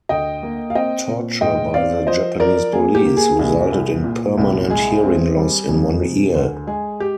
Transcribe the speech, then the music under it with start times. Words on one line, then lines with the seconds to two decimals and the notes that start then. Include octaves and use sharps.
Torture by the Japanese police resulted in permanent hearing loss in one ear.
0.09 D2 D#5 G5
0.43 A#3
0.70 F5
0.75 C4 D#5 G5
1.09 A#2
1.41 G#2 D#5 G5
1.74 C4 D5 F5
2.07 F3 C5 D#5
2.40 F3 A#4 D5
2.73 A#3 G#4
2.95 G4
3.05 A#3
3.17 G#4
3.39 C2 G#4
3.72 C2
4.04 A#2
4.37 C2
4.70 G#3 G#4
5.04 C4
5.36 G3
5.69 F2
6.02 C3
6.35 D2
6.67 G#3 G#4
7.00 G4